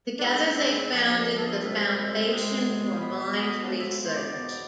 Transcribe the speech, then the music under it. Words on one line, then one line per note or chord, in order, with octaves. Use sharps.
Together they founded The Foundation for Mind Research.
D4
G#2 G#3 C4 E4
D4
E4
E4
D2 D3 F3 A3 D4
A4
G#4
F4
C2 B2 G#3 C4 E4
C2 C3 G#3 C4
B2 B3
A2 F3 G#3 B3 D4
E4
C5
D5
E2 B2 B3